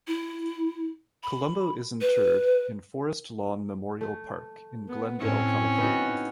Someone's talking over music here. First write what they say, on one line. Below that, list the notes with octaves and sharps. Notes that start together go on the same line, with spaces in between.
Columbo is interred in Forest Lawn Memorial Park in Glendale, California.
E4
B5
B4
A3
B3
A2 C4 C#4 E4
B3 D#4 F#4